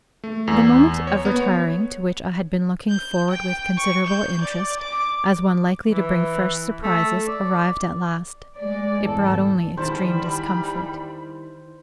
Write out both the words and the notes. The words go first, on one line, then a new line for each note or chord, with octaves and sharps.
The moment of retiring, to which I had been looking forward with considerable interest as one likely to bring fresh surprises, arrived at last: it brought only extreme discomfort.
A3
E2
C#5
B3
C#5
G6
G5
C#6
G6
D5
D6
E3
A3
D5
G#3 D5
G#1 E2 A4
E2 D#3 G3 E4 C5 A5 B5